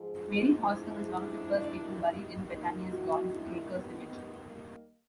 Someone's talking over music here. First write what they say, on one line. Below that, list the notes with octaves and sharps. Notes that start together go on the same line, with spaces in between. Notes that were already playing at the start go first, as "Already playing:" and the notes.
Mary Hauser was one of the first people buried in Bethania's God's Acre cemetery.
Already playing: G#2 F3 G#3
D#4 F4
D4 E4
D#2 D#3 G3 A#3
D#4 F4
E4 F#4
D4 E4
B3
B3
A#3